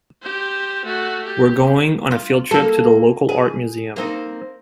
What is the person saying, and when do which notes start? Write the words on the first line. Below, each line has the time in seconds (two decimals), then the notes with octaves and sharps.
We're going on a field trip to the local art museum.
0.22 G4 C5
0.86 A3 F#4
1.26 G4
2.11 F4
2.51 A#3 A4
3.29 G#4
3.96 A#3 C4 D#4